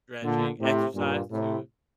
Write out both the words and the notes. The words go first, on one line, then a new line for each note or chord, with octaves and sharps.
Stretching, exercise too, if
A#2 D3
A2 C3
G2 A#2
A2 C3